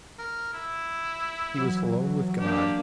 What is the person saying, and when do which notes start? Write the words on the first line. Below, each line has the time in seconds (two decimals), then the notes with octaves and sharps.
He was alone with God.
0.19 A#4
0.53 E4
1.54 E3 F#3
2.40 A#3 D4 G4